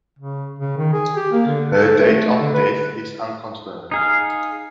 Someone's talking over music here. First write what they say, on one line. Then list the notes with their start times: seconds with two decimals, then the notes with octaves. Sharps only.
Her date of death is unconfirmed.
0.19 C#3
0.59 C#3
0.77 D#3
0.93 G#4
1.16 G4
1.32 A#3
1.47 D3
1.74 A4
1.98 A3
2.41 D3
2.54 B4
3.91 D#4 G#4 F5